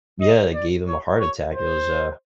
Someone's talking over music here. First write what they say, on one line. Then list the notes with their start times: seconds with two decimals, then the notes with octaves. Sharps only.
yeah, it gave him a heart attack, it was, uh
0.22 D#5
0.55 D5
0.88 C#5
1.20 C#5
1.54 C5